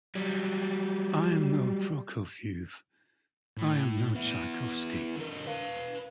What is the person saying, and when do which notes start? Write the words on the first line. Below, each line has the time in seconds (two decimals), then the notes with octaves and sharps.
I am no Prokofiev, I am no Tchaikovsky.
0.15 F#3 G3
3.57 A2
4.15 B3 E4
5.16 D3 A#4
5.46 B4 F5